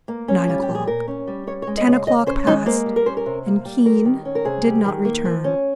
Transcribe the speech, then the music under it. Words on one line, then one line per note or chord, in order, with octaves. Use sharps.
Nine o'clock, ten o'clock passed, and Keene did not return.
A#3
C#4
G3 F4
G4
A#2
G#4
A#2 A#4
C#4
G3
C#4 C#5
C#5
G#3
D#5
C#3 F5
C#3 D#5
C#4 C5
G#3 D#4
A#3 C5
G3
A#4
C#4 C5
A#4
C3
A#3
G3
G3 A#4
D#3
C#4
A#4
C3 G#4
G3
D#3
A#3
F3
C#4